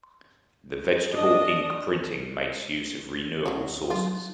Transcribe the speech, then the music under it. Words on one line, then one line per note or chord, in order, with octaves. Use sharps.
The vegetable ink printing makes use of renewable sources.
D4 D#5
F#3 C#4 C#5
D2
F#3 D#4 F4 A5